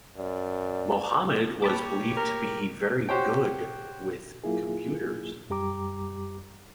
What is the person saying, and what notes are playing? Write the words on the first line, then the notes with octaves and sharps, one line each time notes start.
Mohammed was believed to "be very good with computers".
F#2 D5
A#3 G4 C#5 A5 B5 D6
A#4
F#4 G4 C5 C#5 G5
F#3 A#3 E4 F4 G#4
F#2 G3 G4 A#5 D6